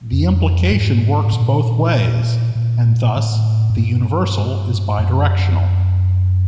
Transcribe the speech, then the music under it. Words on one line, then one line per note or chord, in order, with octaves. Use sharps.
The implication works both ways, and thus the universal is bidirectional.
F2
G#2
A2
A#2
A#2
A2
G#2
G2
F#2